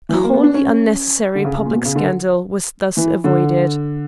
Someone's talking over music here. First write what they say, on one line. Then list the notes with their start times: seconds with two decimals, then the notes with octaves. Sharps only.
A wholly unnecessary public scandal was thus avoided.
0.09 E3
0.13 F#3
0.24 A#3
0.34 B3
0.43 D4
0.54 C#4
1.35 D3
1.45 C#3
1.55 C#3
1.65 A#2
1.75 B2
1.85 C#3
1.96 D3
2.97 E3
3.24 D3